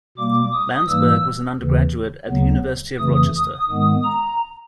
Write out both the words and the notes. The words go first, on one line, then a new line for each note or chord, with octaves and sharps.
Landsburg was an undergraduate at the University of Rochester.
B2 G3 A#3 D6
D#6
G#2 E3 G3 A#3 E6
D#2 C#3 E3
D2 C#3 F#3 B3
F2 C#3 E3 A3 D#6
G#2 D#3 G#3 B3 D#6
A#5